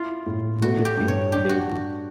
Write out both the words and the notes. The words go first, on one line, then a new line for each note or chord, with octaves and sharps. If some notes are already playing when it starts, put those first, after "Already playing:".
Do you think they do?
Already playing: E4 F4
A2
A3 F#4
G4
G2
C#5
D4 G4
F#4